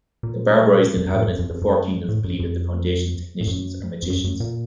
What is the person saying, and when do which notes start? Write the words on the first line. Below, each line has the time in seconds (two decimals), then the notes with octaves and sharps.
The barbarized inhabitants of the four kingdoms believe that the Foundation's technicians are magicians.
0.23 A#2
0.97 F2
1.06 F#2
1.16 A2
1.28 F#2
1.39 F2
1.51 F2
1.62 F#2
2.09 A2
2.24 F#2
2.40 F2
3.41 A2
3.47 F#2
4.03 F2
4.10 F#2
4.24 F#2
4.40 A#2